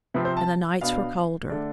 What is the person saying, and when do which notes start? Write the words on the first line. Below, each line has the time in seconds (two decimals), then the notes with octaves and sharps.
And the nights were colder.
0.14 C3 F3 C4 B4
0.25 C5
0.37 A5
0.81 B2 B3 D4 F5
1.50 D3 A3 D4